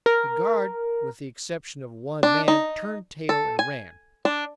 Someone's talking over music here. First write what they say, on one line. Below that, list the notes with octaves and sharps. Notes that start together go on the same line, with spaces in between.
The guard, with the exception of one man, turned tail and ran.
A#4
D4
D#4
A4
G#5
D4